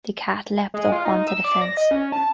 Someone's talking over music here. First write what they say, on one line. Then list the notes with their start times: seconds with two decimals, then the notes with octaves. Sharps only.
The cat leapt up on to the fence.
0.74 G#3
0.92 F4
1.05 D#4
1.27 E6
1.44 D5
1.61 A#6
1.77 D#5
1.91 C#4
2.12 A5